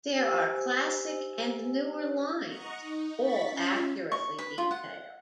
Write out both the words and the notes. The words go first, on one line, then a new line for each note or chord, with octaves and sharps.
There are classic and newer lines, all accurately detailed.
G4 C5 G#5 E6
D#5 F#5 A#5 C#6
D#4
B5 C#6 A6 B6
C#4 F4 E5
C#6
B4
F4
F#5